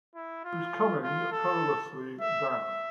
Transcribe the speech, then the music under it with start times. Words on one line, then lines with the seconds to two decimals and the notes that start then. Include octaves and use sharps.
She was coming perilously down.
0.15 E4
0.44 F4
1.03 F4
1.32 A4
2.20 E5
2.49 E5